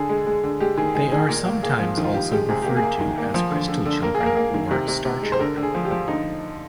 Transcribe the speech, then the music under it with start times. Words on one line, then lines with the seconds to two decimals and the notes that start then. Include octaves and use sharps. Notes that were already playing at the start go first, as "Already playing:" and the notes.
They are sometimes also referred to as crystal children or star children.
Already playing: D3 G#4
0.09 G#3
0.27 G#3
0.43 D3
0.60 G#3 G4
0.78 D#3 G#4
0.95 G#3 G#4
1.12 D#3 G#4
1.28 A#2 A#4
1.45 A#3
1.63 A#3 G#4
1.80 F3
1.97 D#3
2.04 F4
2.14 D#3 G4
2.31 G#3 G4
2.49 C3 G#4
2.62 A#3 G4
2.76 G#4
2.83 A#3
3.01 D#3
3.18 A#3
3.34 F3
3.51 D3
3.68 D3
3.85 D3
4.02 A#3 A#4
4.14 G#4
4.20 A#3
4.26 A#4
4.37 A#3
4.54 D#3
4.71 C3
4.88 C3
5.05 C3
5.22 G#3
5.32 C5
5.39 D3 A#4
5.57 D3
5.63 G#4
5.75 F3
5.85 G4
5.91 F3
6.08 D3 D#4